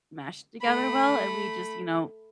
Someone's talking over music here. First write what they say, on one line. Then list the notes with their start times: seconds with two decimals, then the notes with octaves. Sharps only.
mesh together well, and we just you know,
0.61 A3 B5